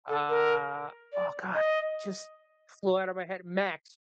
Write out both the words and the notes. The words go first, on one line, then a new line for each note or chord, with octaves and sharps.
Uh oh, god, just flew out of my head. Max.
A4
A#4
D5
D#5